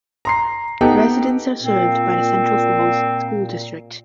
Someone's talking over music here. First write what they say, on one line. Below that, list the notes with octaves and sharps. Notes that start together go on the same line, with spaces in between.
Residents are served by the Central Falls School District.
A#5 C6 C7
B3 D#4 G4 A4 F#5 G5
A#2 C4